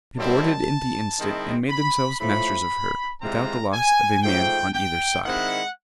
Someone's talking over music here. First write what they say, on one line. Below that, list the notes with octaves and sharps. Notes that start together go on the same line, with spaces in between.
They boarded in the instant, and made themselves masters of her, without the loss of a man on either side.
F#2 D#3 G3 C4 E4 A5
D#3 G#3 C4 E4
B5
A2 F3 A3 B5
C3 E3 G#3 C4 F4 A#5
G#5
G#2 F3 A3 G5
G5
D#3 G#3 C4 E4 F#5